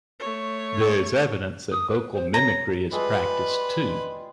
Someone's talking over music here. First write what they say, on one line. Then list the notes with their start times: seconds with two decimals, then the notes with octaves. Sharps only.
There is evidence that vocal mimicry is practised too.
0.19 A3 C#5
1.71 D#6
1.90 B4
2.14 C5
2.34 C#5 A#5
2.92 G3 G#3 F4 B4